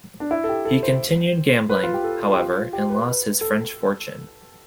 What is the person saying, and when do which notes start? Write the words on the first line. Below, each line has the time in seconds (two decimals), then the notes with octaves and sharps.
He continued gambling, however, and lost his French fortune.
0.20 D4
0.31 E4
0.44 A4
0.49 G4
0.65 A4
0.83 C5
1.70 B4
1.83 F4
1.94 G4
2.04 A4
2.33 G4
2.38 F4
2.73 G4
2.90 B4
3.07 B4
3.41 A4